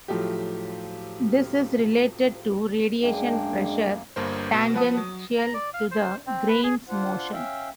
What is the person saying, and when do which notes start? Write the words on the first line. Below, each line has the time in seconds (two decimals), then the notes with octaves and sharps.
This is related to radiation pressure tangential to the grain's motion.
0.08 A2 F3 F#3 A3 F4 G4
3.03 F#2 G#3 A#3 D4 G5
4.16 G1 G2 A#3 C5
4.53 B2 E7
4.74 F3 B3 B4 F#5 A5 D#6
4.97 F#3
5.39 A#5
5.54 D5
5.74 F5
5.91 C5
6.27 C4
6.48 B4
6.64 G#4
6.88 D4 F4 C5 F#5
7.32 C#4 E5 F5 G5